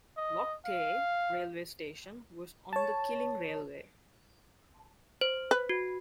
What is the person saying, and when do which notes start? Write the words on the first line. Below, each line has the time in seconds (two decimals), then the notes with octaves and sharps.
Loch Tay railway station was on the Killin Railway.
0.17 D#5
0.65 F5
2.73 C#5 A5
5.21 C5
5.51 B4
5.69 F#4